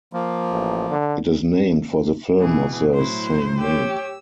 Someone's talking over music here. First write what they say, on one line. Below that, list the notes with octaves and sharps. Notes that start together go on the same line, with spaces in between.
It is named for the film of the same name.
F3 A#3
A1
D3
B2 E3 G#4
A2 F#3 E4 C5
G4 C#5 E6